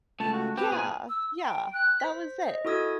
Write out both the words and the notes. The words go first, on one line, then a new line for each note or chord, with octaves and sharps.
Yeah, yeah, that was it.
C#2 A3 A5
F#4
C4 G4 B4
A#2 G#4
E6
G5
F#6
C5 B6
D#5
E4 F#4 A4 D#6 E6 G#6